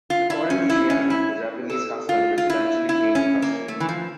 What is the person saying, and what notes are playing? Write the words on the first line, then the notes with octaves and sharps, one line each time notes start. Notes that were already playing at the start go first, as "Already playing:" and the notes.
According to Jiang, the Japanese cast members eventually came to trust him.
F4
E4
C#4
E4
C#4
E4
A4
F4
F4
E4
E4
C#4
A#3
A3
E3
F3